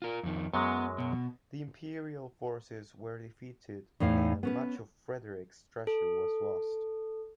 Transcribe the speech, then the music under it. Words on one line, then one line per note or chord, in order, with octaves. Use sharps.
The Imperial forces were defeated and much of Frederick's treasure was lost.
F4 A#4
F2 D#3
F#2 F#3 G#3 B3
B2
E2 A2 D#4 C5 F5
B3 C#4 B4
A4